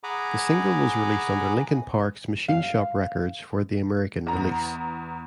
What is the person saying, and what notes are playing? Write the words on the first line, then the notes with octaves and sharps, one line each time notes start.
The single was released under Linkin Park's Machine Shop Records for the American release.
G#4 F#5 G#5 A#5 B5 D6
F5
E2 A#5